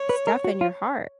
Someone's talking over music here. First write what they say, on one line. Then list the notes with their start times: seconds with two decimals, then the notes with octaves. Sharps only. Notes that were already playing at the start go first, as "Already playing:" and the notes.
stuff in your heart.
Already playing: C#5
0.09 B4
0.27 A#4
0.44 F#4
0.61 F4